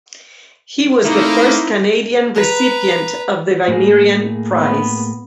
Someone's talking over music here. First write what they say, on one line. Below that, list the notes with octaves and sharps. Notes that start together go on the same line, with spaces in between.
He was the first Canadian recipient of the Vinerian Prize.
A3 A#3 C4 D#4 E4
B4 A#5
A2 A#3 G#4
B3